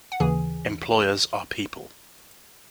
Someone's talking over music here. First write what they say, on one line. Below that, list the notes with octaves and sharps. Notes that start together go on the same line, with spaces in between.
Employers are people.
F#5
D#2 C#3 E3 G#4 G#5